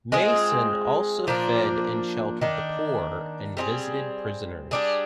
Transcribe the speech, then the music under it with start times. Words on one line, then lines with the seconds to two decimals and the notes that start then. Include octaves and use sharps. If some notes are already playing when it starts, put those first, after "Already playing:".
Mason also fed and sheltered the poor, and visited prisoners.
0.12 G#3 C4 F4 G#4
1.27 A#2 F3 A#3 D4
2.41 D#3 A#3 D4
3.57 G3 C4 D#4 G#4
4.71 G3 D4 G#4